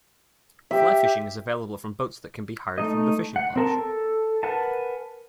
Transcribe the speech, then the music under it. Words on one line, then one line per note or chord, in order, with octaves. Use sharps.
Fly fishing is available from boats that can be hired from the Fishing Lodge.
G4 E5
A3 D#4 D#5
F#5
C4 A#4 A5
A4
A#4 B4 F#5 G#5 A5